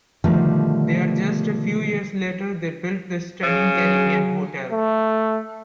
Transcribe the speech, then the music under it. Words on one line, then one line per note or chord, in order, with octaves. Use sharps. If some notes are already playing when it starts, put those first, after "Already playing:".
There just a few years later they built the stunning Caribbean hotel.
B2 D3 D#3 F3 G3 A3
C#3 G#4
F#3
A3